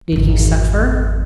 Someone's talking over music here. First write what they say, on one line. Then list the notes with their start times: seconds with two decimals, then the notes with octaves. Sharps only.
Did he suffer?
0.12 G#1 F2